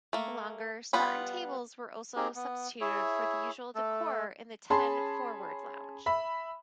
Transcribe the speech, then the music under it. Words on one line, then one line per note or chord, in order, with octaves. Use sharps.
Longer, spartan tables were also substituted for the usual decor in the Ten-Forward lounge.
A3 A#3
G3 B3 F4 B4 B5
C4 D#4 G4 G#4
B3
E4 G#4 C#5 E5
A3 A4
C#4 G#4 A5 B5 C6
E5 B5